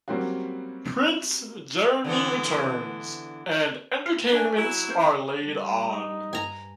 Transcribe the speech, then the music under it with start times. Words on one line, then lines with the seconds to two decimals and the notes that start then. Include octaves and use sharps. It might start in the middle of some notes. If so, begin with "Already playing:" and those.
Prince Jeremi returns and entertainments are laid on.
0.08 F#3 G3 A#3 C4 C#4 F#4
2.05 D3 E3 B3
4.32 D4 C#5 E5 G#5
4.55 F#3 E4 F#4
4.88 C#4 A#4 C5
5.42 G3
5.90 D#4
6.33 G2 G#5 A#5